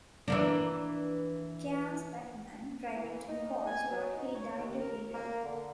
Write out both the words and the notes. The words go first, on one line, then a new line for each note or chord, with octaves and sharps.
Cairns's batman, Private N. Coales wrote He died a hero.
E3 A#3 D4
E3
D#4
G#5
F#3
D#4
C#5
D#2
A#4
A#3
D3